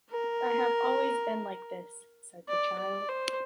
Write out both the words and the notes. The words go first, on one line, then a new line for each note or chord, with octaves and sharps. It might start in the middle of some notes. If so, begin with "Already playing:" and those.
I have always been like this,said the child.
A#4
D5
D5
C5